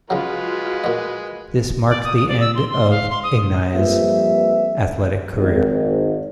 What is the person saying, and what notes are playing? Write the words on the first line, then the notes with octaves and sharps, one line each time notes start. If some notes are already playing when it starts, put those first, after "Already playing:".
This marked the end of a Nia's athletic career.
C#3 F#3 G#3 F4 F#4 B4
A#2 D#5
D5
D#6
D#6
D5
E6
C6
C6
F5
C6
D#6
F2 F3 G3 A#3 B4 E5
G#1